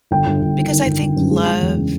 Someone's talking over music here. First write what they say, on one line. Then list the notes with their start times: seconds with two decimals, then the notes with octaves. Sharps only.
because I think love
0.11 G1 G5
0.26 G1
0.41 G1
0.57 D#3
0.72 D#3
0.86 G1
1.02 G1
1.16 F#2
1.31 G#3
1.47 G#3
1.61 E2
1.77 C#3